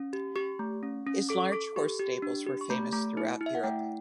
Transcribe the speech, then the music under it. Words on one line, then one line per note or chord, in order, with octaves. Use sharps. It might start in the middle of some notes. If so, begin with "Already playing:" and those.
His large horse stables were famous throughout Europe.
Already playing: C#4
G4
G4 C#6
A3
C#4
C#4
A4 D6
C#6
A4 D6
G4 C#6
G4
D4
G4
C#6
A3 B5
A3
E4
E4
E5
F#5
A3 G5